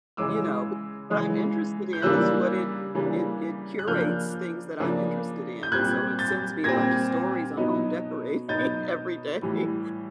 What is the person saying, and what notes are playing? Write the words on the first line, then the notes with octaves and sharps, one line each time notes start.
You know, b where I'm interested in is what it it it curates things that I'm interested in, and, so, it sends me a bunch of stories on home decorating every day,
C#3 E3 G#3 D6 E6
C#3 E3 G#3
G6
C#3 E3 G3 A#3 D4 E6 F#6
C#3 E3 G3 A#3 D4
F#6
C#3 F3 A#3 D4 F6 G6
C#3 F3 A#3 D4
G6
A#2 G3 C4 F#6 G#6
G6 A6
A#2 G3 C4 G#6 A#6
B2 F#3 B3 D#4
B2 F#3 B3 D#4 G6 A6
A2 E3 G3